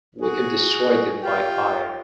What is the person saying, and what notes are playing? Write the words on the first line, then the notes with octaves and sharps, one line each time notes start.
We can destroy them by fire.
F#4 G#4
F4 G4